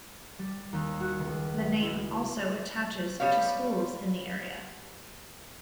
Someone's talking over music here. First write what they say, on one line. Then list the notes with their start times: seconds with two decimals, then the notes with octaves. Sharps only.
The name also attaches to schools in the area.
0.39 G3
0.73 D#2
1.01 F#4
1.19 C#2
1.82 E4
3.20 G3 B3 C#5 F5